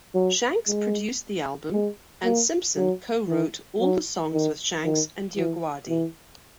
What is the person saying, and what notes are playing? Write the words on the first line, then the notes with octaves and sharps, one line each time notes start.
Shanks produced the album, and Simpson co-wrote all the songs with Shanks and DioGuardi.
F#3
G#3
G#3
A#3
F#3
E3
F#3
D#3
D#3
E3
E3